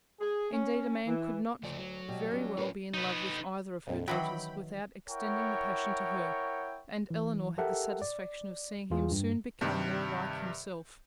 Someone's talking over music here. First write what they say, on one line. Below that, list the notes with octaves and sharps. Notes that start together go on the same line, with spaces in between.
Indeed a man could not very well be in love with either of her daughters, without extending the passion to her; and Elinor had the satisfaction of seeing him soon become more like himself.
G#4
C#4
E3
D2 C#3 F3 D5
F#3
B2 G3
D#2 G3 C#4
A2 C#4 F4 A#4 B4 C#5
D#4 B4
A#1 F2
D#3 E3 F#3 G5 B5
E4 A#4 C#5 F#5 G5 C#6
E3
G4 A4 A#4 E5 F#5 G5
D5
E2 E3 F4 G#4
G2
G2 C3 D#3